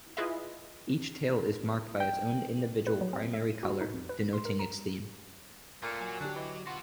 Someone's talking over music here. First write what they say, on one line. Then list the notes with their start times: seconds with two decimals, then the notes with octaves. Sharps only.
Each tale is marked by its own individual primary colour, denoting its theme.
0.17 E4 F4 G#4 B4 D#5 E5
2.00 G5
2.87 B4
3.01 F#3
3.13 C4
3.33 E5
3.50 D#7
3.63 F#4
3.81 D#4
3.94 F2
4.09 B4
4.33 C6
4.45 A#4
4.59 A#5
5.82 A#2 A3 F4
6.00 F#3 G#5
6.20 D3 D4 G4
6.36 E3 D#5
6.67 B3 F4 F#4 F#5